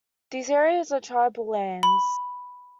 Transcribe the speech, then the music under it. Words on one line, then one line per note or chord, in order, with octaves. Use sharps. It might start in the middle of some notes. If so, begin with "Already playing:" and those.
These areas are "tribal" lands.
B5